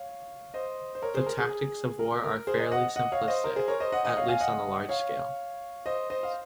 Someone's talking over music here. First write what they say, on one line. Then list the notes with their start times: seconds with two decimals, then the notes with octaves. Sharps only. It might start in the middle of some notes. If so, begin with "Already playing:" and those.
The tactics of the war are fairly simplistic, at least on the large scale.
Already playing: C#5 F5
0.54 C5 D#5
0.95 C5
1.02 A#4 C#5
1.15 G#4 C5
1.26 A#4
1.39 G#4
1.99 A#4
2.23 A#4
2.47 G#4 C5
2.60 C5 D#5
2.71 D#5 F#5
2.96 D#5 F#5
3.12 C#5 F5
3.28 C5 D#5
3.44 A#4
3.56 G#4 C5
3.68 A#4 C#5
3.80 C5 D#5
3.92 D#5 F#5
4.05 D#5 F#5
4.17 C#5 F5
4.28 F5 G#5
4.40 D#5 F#5
4.89 C#5 F5
5.86 C5 D#5
6.10 C5 D#5
6.23 F5